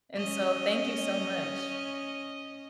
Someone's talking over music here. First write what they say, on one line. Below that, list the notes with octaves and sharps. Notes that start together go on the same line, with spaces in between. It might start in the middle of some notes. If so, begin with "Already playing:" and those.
And so, thank you so much,
C#4 D#5